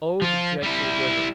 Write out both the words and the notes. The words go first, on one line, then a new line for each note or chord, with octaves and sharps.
Oh, the dreadful river!'
F3 F4
G3 E4